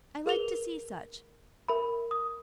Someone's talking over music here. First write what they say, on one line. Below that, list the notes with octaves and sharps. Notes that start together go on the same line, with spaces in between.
I like to see such.
G#4 A#4 B4 F7 G7
A#4 E5 B5
D#6